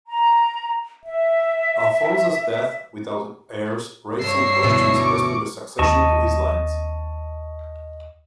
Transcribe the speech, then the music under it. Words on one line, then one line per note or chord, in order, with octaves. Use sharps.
Alphonse's death without heirs raised some questions as to the succession to his lands.
A#5
E5
G2 C#5 E6 A#6 C7
D2 B2 E3
C#6 D6
D#2 B3 C4 D#5 A5 C#6